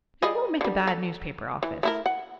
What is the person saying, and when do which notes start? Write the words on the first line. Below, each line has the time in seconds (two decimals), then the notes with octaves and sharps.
It won't make a bad newspaper office.
0.22 G3 G#4 D#5
0.61 D3 G3
0.87 A4
1.63 E3
1.83 A3 E4 A#4
2.06 F#5